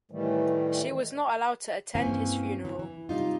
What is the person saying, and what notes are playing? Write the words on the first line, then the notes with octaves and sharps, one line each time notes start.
She was not allowed to attend his funeral.
A2 D#3 E3 G3 A3
G2 E3 A#3 C4 C#4 G#5
E3
E3
C3 G3 D#4 F4